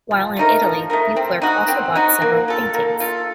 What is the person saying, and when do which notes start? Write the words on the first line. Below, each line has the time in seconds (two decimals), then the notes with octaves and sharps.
While in Italy Beauclerk also bought several paintings.
0.11 F3
0.37 A3 D#4 A#4
0.63 F3
0.90 A3 D#4 A#4
1.16 C4
1.42 D#4 F#4
1.68 C4
1.96 D#4 F#4
2.22 A#3
2.48 F4 A4
2.74 A#3
3.00 F4 A4